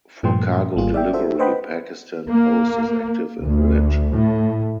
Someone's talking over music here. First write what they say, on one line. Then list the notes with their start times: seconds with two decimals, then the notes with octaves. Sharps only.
For cargo delivery Pakistan Post is active in village.
0.23 G2 A#2 F3 A3 G5 C6
0.76 G#1 G3 A#3 F4 G#4
0.94 D5 E5 G5
1.13 F4 F#4 A4 C5 E5
1.39 B4 C5 D#5 F#5 G5 B5
2.28 A#3
3.40 D2
4.11 A2